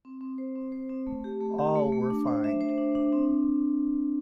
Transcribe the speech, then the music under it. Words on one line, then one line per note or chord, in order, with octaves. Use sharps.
All were fined.
C4
C4
C5
C4
C5
C4
A3
G4
A3
G4
A3
A3
D4
C5
E5
C5
D4
D4
C4